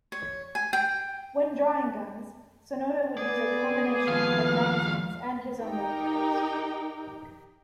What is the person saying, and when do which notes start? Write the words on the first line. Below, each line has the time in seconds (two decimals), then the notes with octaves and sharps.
When drawing guns, Sonoda would use a combination of magazines and his own replicas.
0.12 C#5
0.55 G#5
0.73 G5
3.18 B3 G#4 D5
4.08 D#2 F3 F5
5.62 D#4 G4 A#4 G5